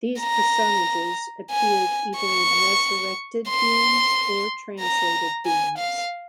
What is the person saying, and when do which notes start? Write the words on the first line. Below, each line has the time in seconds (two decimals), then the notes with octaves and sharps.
These personages appeared either as resurrected beings or as translated beings.
0.21 A#5
1.52 G#5
2.18 C#6
3.49 C6
4.80 A#5
5.46 G#5
5.78 F5